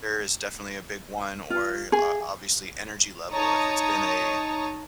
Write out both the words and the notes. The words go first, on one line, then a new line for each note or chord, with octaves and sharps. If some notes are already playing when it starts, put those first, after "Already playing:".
There is definitely a big one, or o obviously energy level, if it's been a
F4
G#4
D#4 C#5 A5 A#5 D#6